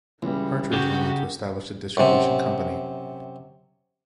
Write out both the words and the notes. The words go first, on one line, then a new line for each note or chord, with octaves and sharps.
Hartridge went on to establish a distribution company.
C#2 E3 G3
C#3 F#4 G4 G6
F#2 C3